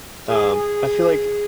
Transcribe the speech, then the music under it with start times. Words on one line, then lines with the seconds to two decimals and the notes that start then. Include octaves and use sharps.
Um, I feel like
0.29 G#4
0.55 G#4